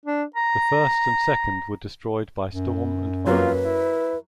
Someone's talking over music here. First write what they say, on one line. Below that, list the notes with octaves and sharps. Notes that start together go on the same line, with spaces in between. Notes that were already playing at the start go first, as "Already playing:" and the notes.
The first and second were destroyed by storm and fire.
D4
A#5
F#2
F#3 A#3 F4 B4
E4